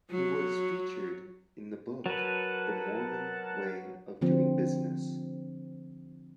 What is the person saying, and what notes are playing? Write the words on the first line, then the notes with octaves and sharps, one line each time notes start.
He was featured in the book The Mormon Way of Doing Business.
F#3
F#3 A#4 B4 F#5 A5
D3 F3 C4